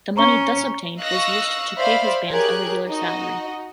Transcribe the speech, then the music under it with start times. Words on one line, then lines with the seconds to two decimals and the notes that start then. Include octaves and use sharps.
The money thus obtained was used to pay his bands a regular salary.
0.17 C#4 A#5 C#6 G7
1.00 D#5 F5 C#6 E6 F#6 A#6
1.77 C5 D5 E5 F5 B5
2.28 G4 G#4 A#4 C#5 F#6 G#6
2.87 D#4 F#4 D#5